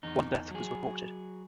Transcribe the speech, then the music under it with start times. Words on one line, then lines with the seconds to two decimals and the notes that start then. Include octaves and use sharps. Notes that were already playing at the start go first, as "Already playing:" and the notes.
One death was reported.
0.03 E2 D#4
0.51 F#3 G#4